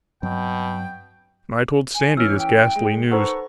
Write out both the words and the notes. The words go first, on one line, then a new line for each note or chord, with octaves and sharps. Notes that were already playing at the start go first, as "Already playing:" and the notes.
I told Sandy this ghastly news.
G2 B2 F#3 C4 G5
G#5
E3 C#4 E6 F6
G5
G#3
D#4 A4 B4 C5 F#5 A#5 C#6